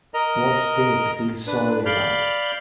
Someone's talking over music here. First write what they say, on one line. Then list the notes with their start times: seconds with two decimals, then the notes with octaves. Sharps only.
What's there to feel sorry about?
0.14 A#4 D#5 A#5
1.47 D4 B4
1.86 D5 F5 B5 F6 G6